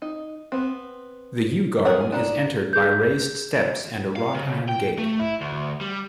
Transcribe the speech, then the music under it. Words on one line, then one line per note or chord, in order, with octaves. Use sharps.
The Yew Garden is entered by raised steps and a wrought-iron gate.
D#4
B3 C4
G#4 A#4 B4 C#5 F#5
G#5
D4 D#4
G#4 G6
F5
C#3
G5
A3
E4
D2
G3